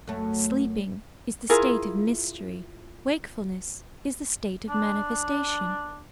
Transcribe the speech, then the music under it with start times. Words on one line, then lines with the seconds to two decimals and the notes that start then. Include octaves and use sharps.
Sleeping is the state of mystery; wakefulness is the state of manifestation.
0.08 F#2 A3
1.50 E4 F4 G#4 A#4
4.69 D4